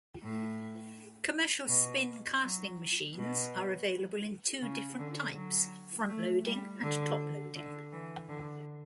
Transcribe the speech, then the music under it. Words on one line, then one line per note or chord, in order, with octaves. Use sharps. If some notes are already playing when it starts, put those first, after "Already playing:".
Commercial spin casting machines are available in two different types, front-loading and top-loading.
A2
B2
F#3
B2
C#3
D3
F#3
A3
G3
D3
D3
E3
D3